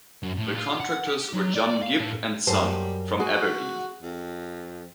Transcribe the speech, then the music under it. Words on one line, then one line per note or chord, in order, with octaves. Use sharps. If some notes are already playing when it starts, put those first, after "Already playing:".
The contractors were John Gibb and Son, from Aberdeen.
F#2
A2
F4
F#5
G4
F#3
D5
F5
A2
F#2 G3 C5 A5
F#4 G#4
F2